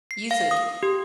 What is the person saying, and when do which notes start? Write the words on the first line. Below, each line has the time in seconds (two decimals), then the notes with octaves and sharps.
You too.
0.11 C7
0.31 F5
0.51 D#6
0.83 G4